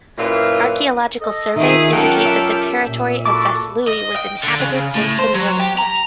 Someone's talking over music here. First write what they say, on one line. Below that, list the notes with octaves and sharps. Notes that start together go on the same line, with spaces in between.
Archaeological surveys indicate that the territory of Vaslui was inhabited since the Neolithic.
F#2 A#2 E4 F4 B4 E5
A4 D#5
D#3 D#4 F4 G#4 E5
F#3 C#4 F4 G4 A4 A#4 F#5 G5
E5
A#2
E4 F#4 A4 D6
D#5
G5
D3
C#3
A2
C5
F#3
G4
A#5